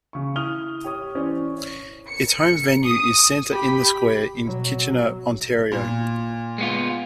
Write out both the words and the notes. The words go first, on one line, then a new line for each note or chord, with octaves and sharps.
Its home venue is Centre In The Square in Kitchener, Ontario.
C#3 C#6
E4 D#6 F6 F7 G7
G4 C#5 D#6
E3 C#4 C5 D5
C#5
C#7
D#6
G4 B5
B2 F#3
A#2
G#3 B3 F4